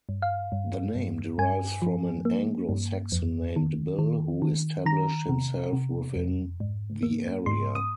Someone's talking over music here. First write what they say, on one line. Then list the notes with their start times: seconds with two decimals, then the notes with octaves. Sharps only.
The name derives from an Anglo-Saxon named Bill who established himself within the area.
0.09 G2
0.22 F5
0.52 G2
0.95 G2
1.38 G2 G#5
1.82 F3
2.25 A#3
2.69 G2
3.12 F2
3.56 D#3
3.99 D#3
4.42 D#3
4.85 D#3 A#5
5.29 C3
5.73 C3
6.16 F2
6.60 G#2
7.03 A#3
7.46 G#2 C6
7.75 D#6